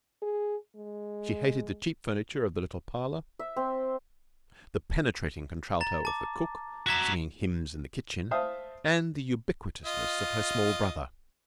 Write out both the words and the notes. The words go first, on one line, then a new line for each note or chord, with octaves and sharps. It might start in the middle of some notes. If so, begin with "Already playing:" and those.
She hated the cheap furniture of the little parlour, the penetrating contralto of the cook singing hymns in the kitchen, and the ubiquitousness of her small brother.
G#4
G#3
E5
C4
A#5 A6
A5 D6
F#4 E5 A#5 G#6 B6
C5 E5 F5 A5 D#6
F4 D#5